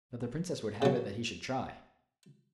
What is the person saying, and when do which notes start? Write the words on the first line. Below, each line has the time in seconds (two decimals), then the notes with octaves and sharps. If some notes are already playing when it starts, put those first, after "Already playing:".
But the princess would have it that he should try.
0.82 C#3 F#3